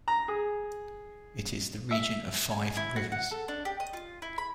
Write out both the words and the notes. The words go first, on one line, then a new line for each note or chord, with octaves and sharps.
It is the region of five rivers.
A#5
G#4
E5
G#5
E4
F#4
F#5
A4
D4
G4
D#5
F4
E4
B5